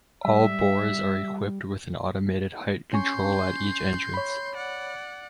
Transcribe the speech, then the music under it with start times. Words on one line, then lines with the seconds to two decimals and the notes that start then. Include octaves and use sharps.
All bores are equipped with an automated height control at each entrance.
0.25 G3 E5
2.93 C#4 G#5 C6 C#6 G6
4.14 C#5 B5
4.56 D5 F#5